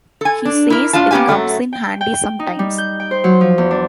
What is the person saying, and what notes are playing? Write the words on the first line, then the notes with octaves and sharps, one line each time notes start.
He says it comes in handy sometimes.
A4 G#5
D4
E4 A#4
A2 D4 F4 F5 A5
A#3 B3 C#4 G4 F5 G#5
F#2 F#3 A3 F#5
G5
G5
D#4
G3
G6
G5
C5
F#3
F3
E2
D4